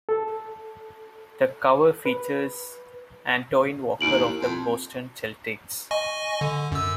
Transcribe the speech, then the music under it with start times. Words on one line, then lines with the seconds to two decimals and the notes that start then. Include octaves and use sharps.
The cover features Antoine Walker of the Boston Celtics.
0.09 A4
2.05 B4
4.01 D#2 E4 D7 F#7
4.41 F2
5.91 D#5 G#5 C#6
6.41 D3
6.72 F#2 E6